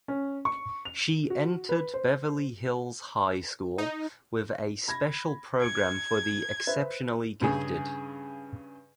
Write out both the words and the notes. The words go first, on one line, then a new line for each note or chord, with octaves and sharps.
She entered Beverly Hills High School with a special program for the exceptionally gifted.
C#4
C#6
F7
F#4
B4
C5
D#4
B5 G#6 A#6
G#6 C#7 D7
B4 C5 E5
G2 C#3 G#4